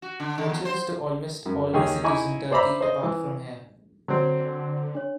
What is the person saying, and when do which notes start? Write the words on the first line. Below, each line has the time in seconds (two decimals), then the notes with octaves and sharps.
Coaches to almost all of the cities in Turkey depart from here.
0.02 F#4
0.20 D3
0.38 D#3
0.50 E2
0.65 C5
1.46 F#2
1.74 D#2 G4 G#4 C#5
2.04 D#4 E4 G#5 B5 C#6
2.51 C5 D5 E5 A#5 B5
2.81 C5 D#5
3.03 E3
4.08 D3 F#3 C4
4.95 D4 C#5